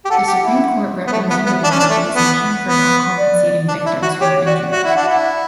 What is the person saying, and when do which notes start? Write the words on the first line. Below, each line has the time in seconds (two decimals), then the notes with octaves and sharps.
The Supreme Court reprimanded an organization for not compensating victims who were injured.
0.05 G4
0.10 A4 F#5
0.27 G4
0.44 E4
1.07 B3
1.12 A3 E5
1.30 B3
1.46 B3
1.63 D4
1.71 C#4
1.79 D4
1.90 A3
2.15 B3
2.66 B3
3.18 D5
3.68 D4
3.86 E4
4.02 F#4
4.21 G4 C#5
4.46 F#4 D5
4.71 F#4 E5
4.83 E4 F#5
4.96 D4
5.05 F#5
5.09 E4
5.22 E5